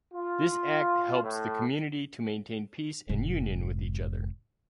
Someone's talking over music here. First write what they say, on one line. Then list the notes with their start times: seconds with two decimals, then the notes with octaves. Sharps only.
This act helps the community to maintain peace and union with each other.
0.13 F4
1.23 A2
3.09 F1 G#2